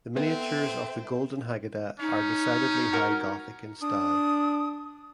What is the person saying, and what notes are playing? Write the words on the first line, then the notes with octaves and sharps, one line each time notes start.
The miniatures of the Golden Haggadah are decidedly High Gothic in style.
B3 C4 A4 C5 E5
C#4 D#4
F#4 A#4
D4 D#6